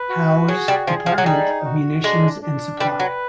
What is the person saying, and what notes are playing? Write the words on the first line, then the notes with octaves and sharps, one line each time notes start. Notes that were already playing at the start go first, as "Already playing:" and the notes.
Howe's Department of Munitions and Supply.
Already playing: B4
F#4
F#3 G#4
G3
F3 G#4
F3
F#3
G3 D#4
F#4
G#3 D4
D4
G3 B4
F#3